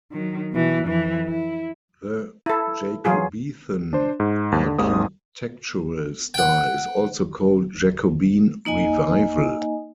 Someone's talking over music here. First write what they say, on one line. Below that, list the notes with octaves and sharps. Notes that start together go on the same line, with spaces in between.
The "Jacobethan" architectural style is also called "Jacobean Revival".
D#3 F#3
B2 E3
F2 E3
E4
E4 A4
E3 F#3 F4 G#4
D4 C5
G#2
D#2
D3
G#1 D#2 G#2 D#6
F#5 G5
A#3 D#4 D#5 G#5